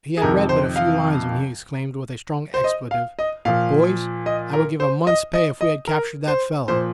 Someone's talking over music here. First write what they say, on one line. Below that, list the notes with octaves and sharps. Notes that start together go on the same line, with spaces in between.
He had read but a few lines when he exclaimed, with a strong expletive, "Boys, I would give a month's pay if we had captured that fellow!"
G#4
F2 C3 D#3 A#4
C5
F5
C5
D#5
F5
D#5
A#2 F3 F5
D#5
A#4
C5
D#5
D#5
D#5
A#4
C5
A#2 F3 C5